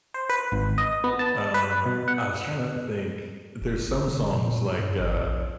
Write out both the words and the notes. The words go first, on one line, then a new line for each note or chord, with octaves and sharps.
Um, I was trying to think, there's some songs, like, uh,
C5
B4
G#1
D#5
B3
A5
B4
B2
F#5
E1
F#1
C3
A#2
G2
G#1
A#1